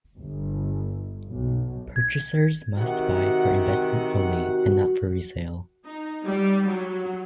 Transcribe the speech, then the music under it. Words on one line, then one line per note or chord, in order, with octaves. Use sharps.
Purchasers must buy for investment only, and not for resale.
G1
B1
G#6
C3 D#3 F#4 F#5
D#4
G3
F#3